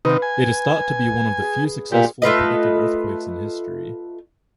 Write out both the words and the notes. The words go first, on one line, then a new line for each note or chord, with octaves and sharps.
It is thought to be one of the few successfully predicted earthquakes in history.
C3 D#3 D#4 B4 F5
G#5
G#4
A#2 G4
A3 F4 B4 D#5